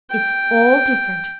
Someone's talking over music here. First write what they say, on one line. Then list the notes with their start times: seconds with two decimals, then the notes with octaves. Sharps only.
It's all different.
0.11 G5